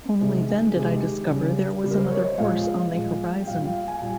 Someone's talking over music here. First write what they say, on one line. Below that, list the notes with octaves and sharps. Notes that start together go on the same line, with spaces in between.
Only then did I discover there was another horse on the horizon.
C3 D#3 G#3 G#4
G#4
C3 D#3 G#3 G4
C#3 G3
C#3 G3 G4
A#4
C5
C#5
D#5
A#2 F3 G#3 F5
A#2 F3 G#3
G5
A#2 G3 F5
G5
F5
G#5
A#2 G3 G#5